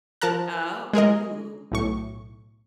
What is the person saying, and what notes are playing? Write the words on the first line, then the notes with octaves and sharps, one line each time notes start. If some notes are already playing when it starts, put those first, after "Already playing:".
Oh Ooh.
F3 A#4 A5 A#5 F#6
G#3 G#4 A#4 D#5
B1 A2 C#6